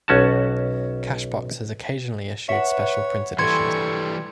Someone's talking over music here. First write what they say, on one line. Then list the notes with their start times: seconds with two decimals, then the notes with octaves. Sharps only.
"Cashbox" has occasionally issued special print editions.
0.08 B1 C#4 F#4 A5
2.49 B4 C#5 E5 F#5
3.39 E3 G3 A4 C6 C#6 G#6